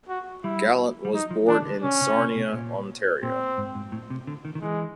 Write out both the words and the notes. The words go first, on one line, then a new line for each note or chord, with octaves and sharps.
Gallant was born in Sarnia, Ontario.
F#4
G3 E4
G3
F#3 D#4
F3
E3 D4
D#3
D3
C#3 C#4
C#3
C3
B2
A#2
A#2 C4
G#2
G#2
A2
C3
D3
D#3
D#3
E3 G#3